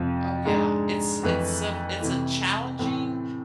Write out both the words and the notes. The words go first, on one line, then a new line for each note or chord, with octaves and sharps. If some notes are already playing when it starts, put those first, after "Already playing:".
Oh yeah. It's it's a v it's a challenging,
Already playing: F2 C3 F3
G#2 G#3 D4
F2 E3 A3 E4 B4
C3 E3 A3 E4
A2 E3 A3 C4